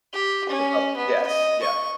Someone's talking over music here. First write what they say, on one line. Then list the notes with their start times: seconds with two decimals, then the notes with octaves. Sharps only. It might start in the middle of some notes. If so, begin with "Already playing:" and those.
put up yes, yeah,
0.13 G4
0.49 C#4
0.97 B3
1.27 D#5
1.62 C#6